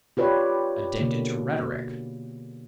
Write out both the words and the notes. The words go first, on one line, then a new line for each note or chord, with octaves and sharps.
Addicted to rhetoric.
F4 G4 B4 C#5 D5
B2 D3 A#3